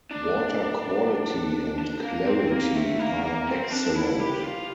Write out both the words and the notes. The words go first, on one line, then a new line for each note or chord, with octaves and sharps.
Water quality and clarity are excellent.
D4
D4
A#3
C4
A#3
A3
A#3
A#3
C4
D4
E4
G4
F4